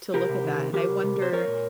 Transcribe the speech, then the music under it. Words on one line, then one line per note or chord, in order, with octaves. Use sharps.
to look at that, and I wonder
C3 G4 A#4
C3
D#3
C3
D#3 G4 A#4
C3
C3
C3 C5
F3 A#4 C#5
A#2